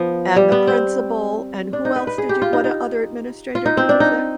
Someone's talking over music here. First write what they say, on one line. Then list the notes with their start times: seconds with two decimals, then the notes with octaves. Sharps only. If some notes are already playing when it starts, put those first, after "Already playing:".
and the principal, and who else did you what other administrator did you say?
Already playing: F3 B3
0.36 G3
0.52 B3
0.67 C4
1.73 D4
1.85 D#4
1.96 B4
2.07 B4
2.18 G#4
2.29 G4
2.42 F4
2.53 D#4
2.64 D#4
3.55 F4
3.66 D#4
3.77 C4
3.89 D4
4.00 D#4